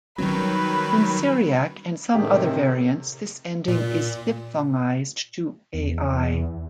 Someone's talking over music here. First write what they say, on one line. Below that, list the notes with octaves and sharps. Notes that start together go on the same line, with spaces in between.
In Syriac and some other variants this ending is diphthongized to "-ai".
D#3 F#3 G3 A#3 C#4 B4
A2 D#3 G4 G#4
C3
A#2
E2